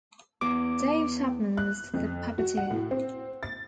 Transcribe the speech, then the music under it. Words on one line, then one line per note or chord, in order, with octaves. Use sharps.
Dave Chapman was the puppeteer.
E2 D6
F#6
F2
F#4
F#5
A2
C4
A6